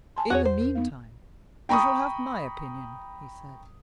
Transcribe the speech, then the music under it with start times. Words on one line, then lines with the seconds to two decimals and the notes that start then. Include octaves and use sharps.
"In the meantime, you shall have my opinion," he said.
0.17 G#5 A5 C6
0.30 E2 F#4 G#4 C#5 F#5 F#6
0.45 C5
0.61 A#4
0.75 B3 D#4 F5
1.69 G5 A#5 B5 C#6 D#6